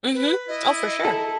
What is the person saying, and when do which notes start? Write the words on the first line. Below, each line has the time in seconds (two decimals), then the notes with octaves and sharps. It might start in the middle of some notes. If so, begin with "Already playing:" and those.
Mhm. Oh, for sure.
0.14 B4
0.48 E4 D#5
1.05 A4